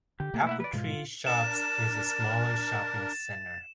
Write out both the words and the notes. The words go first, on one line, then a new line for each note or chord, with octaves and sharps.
Appletree Shops is a smaller shopping centre.
D3 G4
B2 A3 A#3
E4 E5 F#5
B4 D5
G#2 B2 G#3 F4
D4 A#4 A6 E7